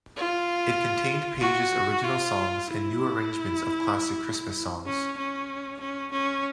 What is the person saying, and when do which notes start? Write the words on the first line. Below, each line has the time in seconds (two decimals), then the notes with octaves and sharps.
It contained Paige's original songs and new arrangements of classic Christmas songs.
0.16 F4
1.41 F#4
2.04 F4
2.67 E4
4.85 C#4
5.17 C#4
5.80 C#4
6.11 C#4